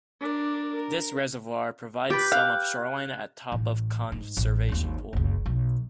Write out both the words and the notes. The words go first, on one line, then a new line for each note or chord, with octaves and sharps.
This reservoir provides some of shoreline at top of conservation pool.
D4 A#4
A#4
G4 B4 G5 D6 A6 B6
F5 F#6
A1
G#2
A1
G#1 D#2
F#1 C#2
B1